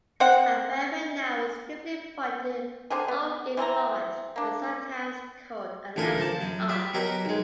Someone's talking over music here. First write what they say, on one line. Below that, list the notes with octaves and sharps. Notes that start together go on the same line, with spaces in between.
A very narrow, steeply pointed ogive arch is sometimes called a "lancet arch".
C4 F#5
D3 C4 D4 G#4
B3
E3 C4 A5 A#5
A#3 D4
A1 D2 A#2 A4 A#4 G#5
F3 A5
F#2
G3 F4 E5
B2 F#3 G4 A#4 A#5
B1 G#3